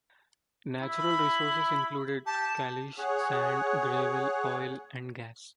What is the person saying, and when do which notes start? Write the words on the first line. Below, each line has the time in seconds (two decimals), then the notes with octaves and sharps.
Natural resources included caliche, sand, gravel, oil, and gas.
0.82 E4
0.97 B5
2.26 G4 A5
2.98 G#4 C#5 F#5